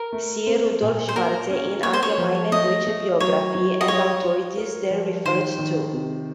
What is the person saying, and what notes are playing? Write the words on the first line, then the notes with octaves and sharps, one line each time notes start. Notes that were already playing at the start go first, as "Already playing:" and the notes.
See Rudolf Schwarze in "Allgemeine Deutsche Biographie" and authorities there referred to.
Already playing: A#4
A3
C4
A#2
C5
A#3 A#4
C#4
A#3 C#5
C5
C#5
F3
A3 D#5
A3
F#3 C#5
F#3
D#5
F4 C#5
F4
A#4
F3
D#3 C5
D#3
C3